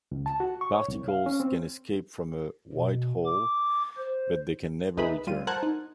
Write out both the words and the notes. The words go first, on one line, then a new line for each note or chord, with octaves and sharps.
Particles can escape from a white hole but they can never return.
C#2
A5
F#4
C#6
C#5
C2
F5
C#4
C4
B2
D6
C5
C2 D#4 G#4 B4 E5 B5
G3 F4 D#7
A#4 C5 F#5 A5 F#6 G#6
D#4